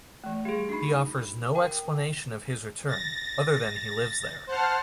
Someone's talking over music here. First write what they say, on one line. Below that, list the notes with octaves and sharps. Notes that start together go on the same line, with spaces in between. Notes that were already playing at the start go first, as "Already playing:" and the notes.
He offers no explanation of his return, other than he lives there.
E3 A3
G3 G4 G#4
D4 D#4 F#4 B5
A#4 G5
A6 A#6
C5 F#5 A5 F6